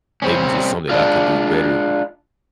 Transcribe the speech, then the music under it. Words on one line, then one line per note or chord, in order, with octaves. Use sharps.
maybe just something that I could do better.
G3 C4 C#4
G#3 D4 F4